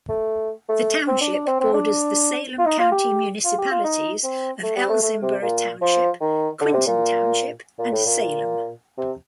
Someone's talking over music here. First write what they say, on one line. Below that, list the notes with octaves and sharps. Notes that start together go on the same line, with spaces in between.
The township borders the Salem County municipalities of Elsinboro Township, Quinton Township and Salem.
A3
A3
C4
D4
D4
C4
C4
D4
F4
D#4
F4
G4
F4
G4
F4
D#4
C4
A3
G3
A3
A3
C3
A#2
F3
D#3
D3
C3
A#2
A#2
A2
A#2
C3